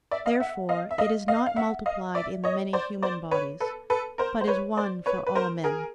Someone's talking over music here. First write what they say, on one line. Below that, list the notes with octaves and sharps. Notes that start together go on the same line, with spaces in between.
Therefore it is not multiplied in the many human bodies, but is one for all men.
D5 E5
D#5 F5
E5 F#5
D#5 F5
E5
D#5 F5
D#5 F5
F5
E5 F#5
D#5 F5
D5 E5
C#5 D#5
C5 D5
C5 D5
B4 C#5
A4 B4
A4 B4
A#4 C5
C5
B4 C#5
C5 D5
B4 C#5
B4
A#4 C5
G#4 A#4